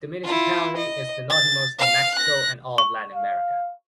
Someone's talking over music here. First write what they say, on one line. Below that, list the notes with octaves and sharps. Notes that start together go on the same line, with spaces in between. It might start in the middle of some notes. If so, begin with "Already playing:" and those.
The municipality is the northernmost in Mexico and all of Latin America.
E4 F4
D#5
A6
F5 F6
F#6 A#6
C#6
F5